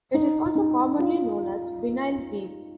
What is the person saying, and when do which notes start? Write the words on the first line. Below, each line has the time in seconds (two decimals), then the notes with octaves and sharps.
It is also commonly known as "vinyl weave".
0.14 D#4
0.55 D#4
0.99 F4